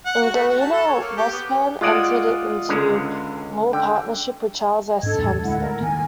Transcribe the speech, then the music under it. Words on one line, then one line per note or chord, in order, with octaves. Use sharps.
In Galena, Wasburne entered into law partnership with Charles S. Hempstead.
F#5
F#4
A3
F#4
A5
A4
C#5
A#3
G4
B3
G#3 F4 D5 F#5 D#6
C#2 D3 G#3
D3 G5
D#5
G#2 D4 A4 G#6
E2 A2 G3
D2 G#3 E4 F#5
A#4
D#3 A#3 G#5